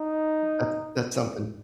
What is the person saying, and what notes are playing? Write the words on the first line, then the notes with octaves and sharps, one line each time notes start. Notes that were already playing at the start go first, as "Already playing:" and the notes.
That's that's something.
Already playing: D#4